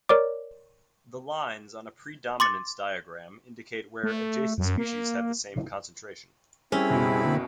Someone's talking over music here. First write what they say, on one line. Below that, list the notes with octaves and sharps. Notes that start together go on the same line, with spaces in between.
The lines on a predominance diagram indicate where adjacent species have the same concentration.
A#4 C#5 D5 D6
C6 D6 A6 C#7
A3
F#2
A#3
G3 C4 C#4 E4 G#4 B5
F#1 B2
D3 A#3